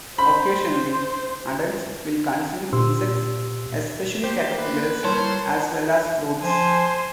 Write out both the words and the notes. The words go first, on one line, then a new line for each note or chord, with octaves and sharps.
Occasionally adults will consume insects, especially caterpillars, as well as fruits.
C5 B5
A#2 G4 C5 C6 E6
A#3 G4 C5
B4
G3 E4 A#4 C5 C#5 A5
F3 C5 G#5